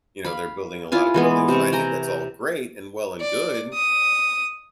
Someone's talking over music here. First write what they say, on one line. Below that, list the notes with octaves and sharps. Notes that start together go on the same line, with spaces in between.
you know, they're building a lotta buildings, and I think that's all great and well and good.
F5 B5
E4 F4 F5 G#5
E3 G#3 B3
C3 C#6
G5 G#5 A#5
D5
D#6